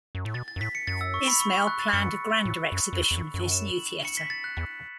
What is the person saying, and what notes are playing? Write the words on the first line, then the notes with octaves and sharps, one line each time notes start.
Ismail planned a grander exhibition for his new theatre.
F#2
A2
B2 A6
A6
F#2
A2 B6
C#7
F#2 A6
E6
C#6
B5
C#6
C#6
F#6
A6
F#2 C#7
A2
F#2
F#2
E2
E2
F#2
F#2
E7
F#7
E7
C#7
B6
A6
F#6
E2